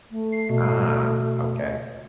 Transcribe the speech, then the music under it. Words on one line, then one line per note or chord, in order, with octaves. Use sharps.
Ah, okay,
A3
C7
B2